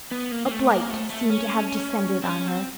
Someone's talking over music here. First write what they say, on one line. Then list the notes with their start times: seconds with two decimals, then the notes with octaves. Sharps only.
A blight seemed to have descended on her.
0.11 B3
0.32 A#3
0.46 A#3
0.51 A3
0.70 A#3
0.90 A3
1.10 A3
1.30 C#4
2.23 C4
2.28 C#4
2.48 C4